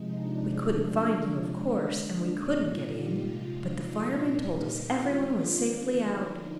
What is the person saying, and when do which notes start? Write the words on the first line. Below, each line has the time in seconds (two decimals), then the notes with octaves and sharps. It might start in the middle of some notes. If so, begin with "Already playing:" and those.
'We couldn't find you, of course--and we couldn't get in--but the firemen told us every one was safely out.
Already playing: C3 F3 G#3 D#4
0.17 D4
0.60 C3 F3 G#3 D4
1.47 D3 G#3
2.35 A#2 G3 A#3 D#4
2.64 F4
2.92 G4
3.22 C3 F3 G#3 F4
3.50 D4
3.79 D#4
4.08 A#2 G3 A#3 D#4
4.52 G4
4.95 D#3 G#3 F4
5.24 D4
5.54 C4
5.82 D3 F3 A#3 D4
6.11 D#4